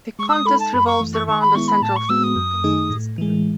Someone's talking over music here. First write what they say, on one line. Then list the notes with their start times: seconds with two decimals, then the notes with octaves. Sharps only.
The contest revolves around a central theme of community spirit.
0.19 G#3 C#6
0.28 E6
0.32 D#6
0.45 D#4 A4 B5
0.59 A5
0.73 F#2 B5
0.86 C#6
1.01 E3 A3
1.14 C#6
1.27 D#3 C#6
1.41 B5
1.55 G#3 B3 E4 C#6
1.68 B5
1.82 A2 A5
1.96 C#6
2.09 G#3 B3 F#4 E6
2.23 D#6
2.36 F#2
2.64 D#3 A3 D#4 G#4
2.90 A2
3.18 E3 G#3